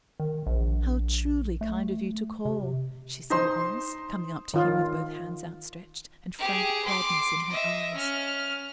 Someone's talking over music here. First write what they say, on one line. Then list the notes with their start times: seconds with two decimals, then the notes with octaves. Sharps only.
"How truly kind of you to call!" she said at once, coming up to him with both hands outstretched and frank gladness in her eyes.
0.20 D#3
0.47 A#1
1.61 A3
2.45 C3
3.30 D#4 C5 C6
4.54 D#3 F4
6.39 G4 G#4
6.84 C6 D6
7.50 D#5 E5
7.94 C#4 F6